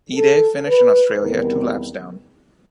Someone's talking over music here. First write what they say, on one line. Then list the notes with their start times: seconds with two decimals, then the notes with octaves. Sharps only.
Ide finished in Australia, two laps down.
0.14 A4
0.67 B4
1.21 E2 C3 D#3 G3 B3 A#4